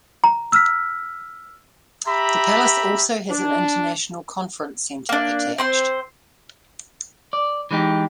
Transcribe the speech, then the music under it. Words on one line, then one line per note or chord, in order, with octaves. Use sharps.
The palace also has an international conference centre attached.
A#5
E6 F6 B6
G4 E5 A#5 B5
D4
A#3 D4
C4 C5 C6
D5
E3 G#3 D#4 G4